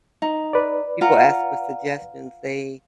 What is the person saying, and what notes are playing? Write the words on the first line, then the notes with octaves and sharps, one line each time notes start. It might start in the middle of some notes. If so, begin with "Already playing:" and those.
people ask for suggestions, they
D#4
B4 D5
F4 F#5 A#5